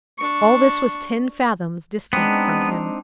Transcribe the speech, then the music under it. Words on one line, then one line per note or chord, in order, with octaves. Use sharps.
All this was ten fathoms distant from him.
D4 C#6
G#3 B3 C4 D4 D#4